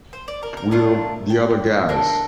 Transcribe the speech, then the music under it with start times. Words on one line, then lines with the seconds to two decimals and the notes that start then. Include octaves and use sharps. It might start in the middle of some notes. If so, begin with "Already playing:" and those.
We're the other guys!
0.13 C5
0.28 D5
0.43 A#4
0.57 A#4
0.71 A3 D4 F4 A#4
1.30 G5
1.89 D4 A4 A#4